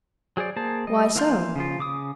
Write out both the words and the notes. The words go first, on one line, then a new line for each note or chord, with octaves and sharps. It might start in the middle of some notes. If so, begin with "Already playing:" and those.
"Why so?"
F#3 G#4 C5 D5
A#3 G#4 C5 A5
G3 D#5
E3 A#3 F5 C6 G6
C#3 F3 F4
C#3 D6 D#6